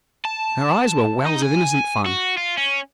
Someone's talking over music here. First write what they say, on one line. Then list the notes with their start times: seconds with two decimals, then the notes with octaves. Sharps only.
Her eyes were wells of innocent fun.
0.25 A5
1.27 D#4
1.42 G#5
2.06 F#4
2.37 F4
2.57 C#4